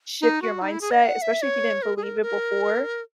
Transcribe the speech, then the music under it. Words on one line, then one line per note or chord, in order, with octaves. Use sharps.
shift your mindset, especially if you didn't believe it before.
D#4
F#4
D#4
E4
G#4
D#5
F#5
E5
C#5
A#4
G#4
A#4
A#4